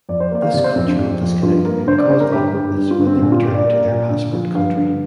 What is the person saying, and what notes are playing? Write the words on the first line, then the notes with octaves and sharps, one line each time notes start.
This cultural disconnect can cause awkwardness when they return to their passport country.
F2 D5
C5
A#3 D5
F5
C3 D5
C5
F2 C4
D4
F2
F2
G2 F4
A#3 A#4
D3 C5
D5
D3 C5
A#4
G2 G4
G2
G2
F4
D3
C4
C4
A#2 D4
F4
A#3 G4
D5
A#3
A#2
D3
F3
G2 F5
D3